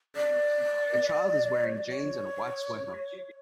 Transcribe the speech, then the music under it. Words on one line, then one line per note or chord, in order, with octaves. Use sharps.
A child is wearing jeans and a white sweater.
D5
C#5
D5
C#5